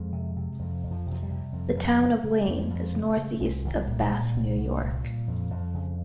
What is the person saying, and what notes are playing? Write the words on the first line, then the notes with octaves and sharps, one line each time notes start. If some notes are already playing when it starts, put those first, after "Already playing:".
The Town of Wayne is northeast of Bath, New York.
Already playing: F2 G#3
C3
C3
F2
F2
F3
C3
F3
G3
C3
F2
F2
C#3
C#3
F2
F2
C#3
C#3
C2 G#3
C2 D#3
F3
A#2 G3
A#2
C2
C2
A#2
A#2
F2
F2
C#3